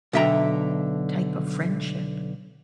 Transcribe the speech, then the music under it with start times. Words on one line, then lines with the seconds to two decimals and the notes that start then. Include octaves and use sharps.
type of friendship.
0.13 B1 D3 E5 G5 A#5